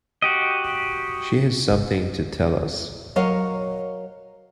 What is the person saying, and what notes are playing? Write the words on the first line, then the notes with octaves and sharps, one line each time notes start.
She has something to tell us.
F#4 G4 D#5
F#3 A#4 C#5 D#5 F5